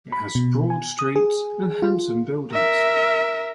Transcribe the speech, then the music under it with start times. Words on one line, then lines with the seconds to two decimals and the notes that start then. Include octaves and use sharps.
It has broad streets and handsome buildings.
0.12 B5
0.35 B2
0.70 G#5
0.99 D#6
1.16 G#4
1.82 F4
2.53 A#4 E5